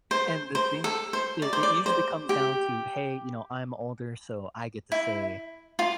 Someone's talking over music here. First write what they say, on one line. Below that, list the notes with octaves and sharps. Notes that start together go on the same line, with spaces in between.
and the thing it it usually comes down to, "Hey," you know, "I'm older, so I get to say,
C5
C5
A4
C5
D5
C5
D5
C5
G4
E4
F4